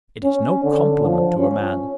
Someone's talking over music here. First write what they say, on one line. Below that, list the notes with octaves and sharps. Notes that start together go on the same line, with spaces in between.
It is no compliment to a man.
C#4
D3
F3
C#4